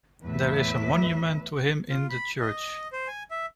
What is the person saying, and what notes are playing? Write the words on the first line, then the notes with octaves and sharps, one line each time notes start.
There is a monument to him in the church.
E2 A2 B4 E5
F4
B5
D#5
C5
G#5
E5